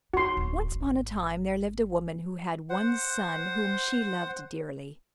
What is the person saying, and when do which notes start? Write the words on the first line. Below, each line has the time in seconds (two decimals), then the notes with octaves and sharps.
Once upon a time there lived a woman who had one son whom she loved dearly.
0.14 D#4 F#4 C6
0.37 D1
0.72 G#1
2.69 C5 F#5